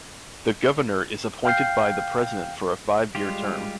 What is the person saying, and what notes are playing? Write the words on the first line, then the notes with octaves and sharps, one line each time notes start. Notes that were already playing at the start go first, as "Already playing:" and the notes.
The governor is appointed by the president for a five-year term.
F5 G5 F6 G6 C7
G3 G#3 F4 G4